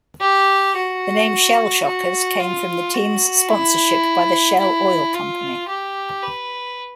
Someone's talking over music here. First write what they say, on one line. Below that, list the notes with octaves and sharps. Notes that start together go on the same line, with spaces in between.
The name "Shell Shockers" came from the team's sponsorship by the Shell Oil Company.
G4
F#4
F#4
F4
F#4
E4
E4
F4
G4
B4